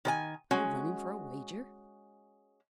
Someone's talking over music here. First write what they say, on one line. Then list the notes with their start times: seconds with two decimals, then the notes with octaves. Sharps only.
"Are you running for a wager?"
0.05 D#3 B4 G#5
0.51 G#3 C#4 F#4